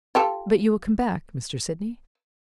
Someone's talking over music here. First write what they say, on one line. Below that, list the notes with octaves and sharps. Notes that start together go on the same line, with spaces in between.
"But you will come back, Mr. Sydney?"
F4 G4 A4